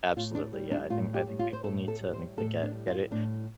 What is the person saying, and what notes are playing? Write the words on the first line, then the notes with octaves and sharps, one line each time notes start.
Absolutely, yeah. I think I think people need to need to get get it
A2 F4
D4
G3
D4
A2 F4
G4
A2
F4
C5
A2 A4
A4
G3
C5
A2 A4
D4
G3
F4
A2 D4